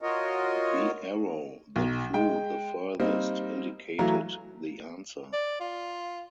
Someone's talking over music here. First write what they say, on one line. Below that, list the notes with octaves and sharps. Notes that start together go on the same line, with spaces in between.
The arrow that flew the furthest indicated the answer.
F4 F#4 A#4 C#5 D#5
B1
G#3 G5
G3 A#3 C4 D#4
E3 F#3 A3 F5 A#5
D5
F4